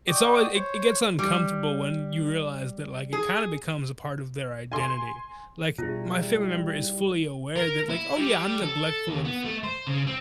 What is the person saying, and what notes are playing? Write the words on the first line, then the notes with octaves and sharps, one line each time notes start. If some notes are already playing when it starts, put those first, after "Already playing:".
it's always i it gets uncomfortable when you realize that, like, it kinda becomes a part of their identity. Like, my family member is fully aware that, like, "Oh, yeah. I'm neglectful of
F#4 D5 D#5 G5
C5 C#5
G3
G#4
G#5 C6
B2 G3 B3 D4 E4 F4 G#4
A#4
E4
G3
A4
D#2
B3
A3
C5
C#3
C4